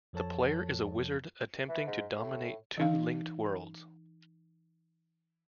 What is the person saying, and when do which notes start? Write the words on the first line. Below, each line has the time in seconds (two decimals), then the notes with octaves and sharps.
The player is a wizard attempting to dominate two linked worlds.
0.13 F2 F3 A4 C#5 A5
1.69 E3
1.87 G#2
2.18 A2
2.78 E3 D#4 F5